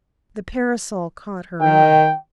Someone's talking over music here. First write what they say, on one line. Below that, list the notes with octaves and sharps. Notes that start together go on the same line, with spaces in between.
The parasol caught her eye.
D#3 G5